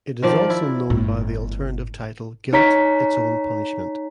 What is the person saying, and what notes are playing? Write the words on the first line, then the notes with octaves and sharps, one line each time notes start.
It is also known by the alternative title Guilt Its Own Punishment.
D#3 F3 D5
E4
G1 A2
D#4 C#5 A#5 B6